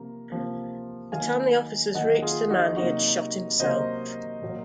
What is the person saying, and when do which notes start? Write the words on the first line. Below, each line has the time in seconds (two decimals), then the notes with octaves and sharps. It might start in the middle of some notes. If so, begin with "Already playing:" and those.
By the time the officers reached the man, he had shot himself.
Already playing: C3 F3 A#3
0.30 C3 F3 A#3
1.12 D#3 F#3 A#3 F5 G#5
1.95 D#3 F#3 A#3 D#5 F#5
2.22 F4 G#4
2.50 D#4 F#4
2.77 C3 F#3 A#3 D#4 F#4
3.59 C3 F#3 A#3 C5 D#5
4.42 A#2 F#3 A#3